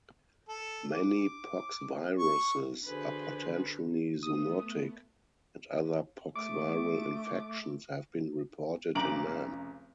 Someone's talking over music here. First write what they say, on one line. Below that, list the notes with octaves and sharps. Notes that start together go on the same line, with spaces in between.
Many poxviruses are potentially zoonotic, and other poxviral infections have been reported in man.
A4
D6
C#6
D3 F#4 G#4 B4 C5
A3 B3 D#6
A3 D6
F1 C#3 A#5 D6 D7 F#7